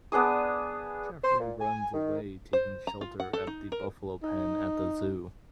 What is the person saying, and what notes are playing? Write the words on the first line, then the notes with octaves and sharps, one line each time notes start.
Jeffrey runs away, taking shelter at the buffalo pen at the zoo.
B3 D4 G#4 D#6
C5
A#2
G#5
D#3
C5
A#5
F4
F#5
A4
D#4
A#4
D#4